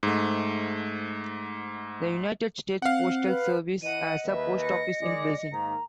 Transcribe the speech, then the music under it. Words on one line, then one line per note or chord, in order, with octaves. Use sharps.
The United States Postal Service has a post office in Basin.
G#2 A3
C4 F5 F#5
B4
E3 D#5 F#5 D#7
D#2 B4 E5
A#6 C#7
D#3 G#3 D5
G#2 D#3 A#3 A#5